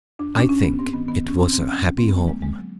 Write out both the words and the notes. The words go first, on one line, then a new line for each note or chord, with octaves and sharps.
I think it was a happy home.
F2 D4
F2 C#4 D4
F2 C#4
F2 B3
G2 C4
D#3 B3
D#3 B3
G2 C#4
C#3 C4
D#2 C4
F#3 C#4
D#2
D2 C4
B3
D3
A#3
F3 G#3
D3 G#3
F#3